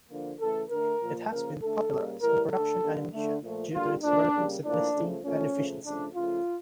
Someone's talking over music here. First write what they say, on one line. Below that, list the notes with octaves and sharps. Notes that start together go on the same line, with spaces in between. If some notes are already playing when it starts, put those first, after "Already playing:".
It has been popularized in production animation due to its relative simplicity and efficiency.
D3 F3 A#3
C#3 E3 A3 A4
D3 A3 A#4
A#2 F3 A#3
C#3 F3 A#3 A#4
D3 A3 A4
C#3 G3 A#3
A2 E3 G3 A#4
D3 A3 A4
D3 G3 A#3
D3 A3
A#2 F3 A3
D3 G3 A#3 F4
A#2 F3 A3 D4
C#3 G3 A#3
A2 F3 A#3 D4
C#3 F3 A3
A#2 F3 A3 C#4
C#3 F3 A3
C#3 F3 A3 D4
C#3 F3 A3 F4